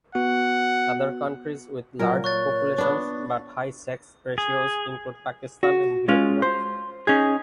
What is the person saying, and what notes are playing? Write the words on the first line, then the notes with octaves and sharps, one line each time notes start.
Other countries with large populations but high sex ratios include Pakistan and Vietnam.
B3 F#4 F#5
A#2 F#3 A#4
C#5 C#6 F#6 A6
B3 D4
G#4
F#4
G#3 C#4 F4
C5
C#4 D#4 G#4